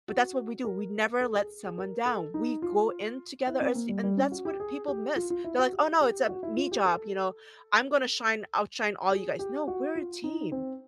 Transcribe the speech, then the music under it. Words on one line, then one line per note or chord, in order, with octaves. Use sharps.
But that's what we do, we never let someone down, we go in together as and that's what people miss, they're like, "Oh, no, it's a 'me' job," you know? "I'm gonna shine outshine all you guys." No, we're a team.
F#4
A#4
A4
G#4
G#4
A#4
A4
D#4
F4
E4
C4
A#3
G3
G3
C#4
F#4
G4
G#4
G4
F4
F4
E4
F#4
G4
G4
F#4
E4
F4
G4
A4
G#4
G4
F#4
F4
D#4
C4